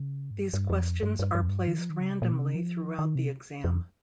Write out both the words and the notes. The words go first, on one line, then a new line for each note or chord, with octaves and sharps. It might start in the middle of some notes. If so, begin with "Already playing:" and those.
These questions are placed randomly throughout the exam.
Already playing: C#3
G#2
G2
G2
F2
G2
G2
G2
F2
G2
D#3
F3
D#3
C#3
C3
A#2
C3
C#3
F3
D#3
C3
F2